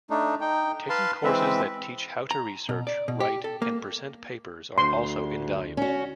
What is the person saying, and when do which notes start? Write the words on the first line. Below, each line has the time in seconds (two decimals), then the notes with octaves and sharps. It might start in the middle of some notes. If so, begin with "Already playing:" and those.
Taking courses that teach how to research, write and present papers are also invaluable.
0.10 A3 D4 D#4
0.41 D#4 G5
0.89 B4 F5 A5 C6
1.24 E3 G#3 C4 B4 E5
2.31 A#5
2.69 B2
2.87 D5
3.08 B2
3.20 G4
3.44 A4
3.62 A#3
4.78 D2 C6
5.77 C#4 F#4